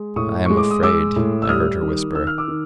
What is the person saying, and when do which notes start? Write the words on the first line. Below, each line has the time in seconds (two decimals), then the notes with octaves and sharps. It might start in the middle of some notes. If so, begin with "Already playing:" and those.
"I am afraid!" I heard her whisper.
Already playing: G#3
0.16 A2 C#6 D#6
0.46 G#3 C#6
0.57 D6
0.70 D#6
0.83 G#3 D6 E6
1.16 A2
1.42 E6
1.48 G3 D#6 F6
1.83 D#3
2.15 D#3 E6
2.27 F6
2.38 D6 E6
2.48 D#3